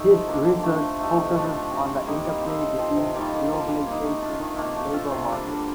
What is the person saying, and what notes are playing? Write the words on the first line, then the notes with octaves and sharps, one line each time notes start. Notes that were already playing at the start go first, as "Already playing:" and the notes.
His research focuses on the interplay between globalization and labour markets.
Already playing: A3 D#4 G4 A4
F3
A#3 D4
D3
A3 D4
F3
A3 D#4 G4
C3
F3 A3 D4
A3
C4 G4
G3
A#3 D#4 G4
G3
C4 D#4 A4
A2
F3 C4 G4
C3
D#3 G3 A#3
D3
F3 C4 G4
G3
A#3 D#4
A3
D4 F4
D#3
A#3 D4
A3
C4 F4 A4
C3
G3 A#3 D4
D3